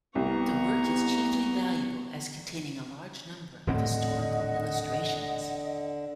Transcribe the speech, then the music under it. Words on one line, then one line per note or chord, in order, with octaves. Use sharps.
The work is chiefly valuable as containing a large number of historical illustrations.
C2 B3 A#5 C#6
D#1 A2 D3 C4 D#5 F#5